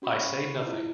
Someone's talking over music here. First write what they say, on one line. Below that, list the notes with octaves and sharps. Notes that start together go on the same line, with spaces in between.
I say nothing.
C#4 F#4 B5 C#6
E4 F4